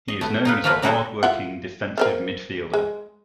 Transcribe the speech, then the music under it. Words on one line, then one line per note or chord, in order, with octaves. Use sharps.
He is known as a hard working, defensive midfielder.
D#5
A3 B3
D#4 F4 B4
F3 A3 A#3 F4 F#4 B4
G3 D#4 E4 F#4 G#4 A4
E4 F4 F#5
A#4 C5 F5
G#3